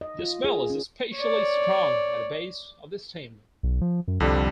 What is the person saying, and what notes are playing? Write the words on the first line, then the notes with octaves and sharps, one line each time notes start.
The smell is especially strong at the base of the stem.
D#5
F4
G#4
C#4
C#5 D5
B1
F3
F#2
C2 F2 D3 G3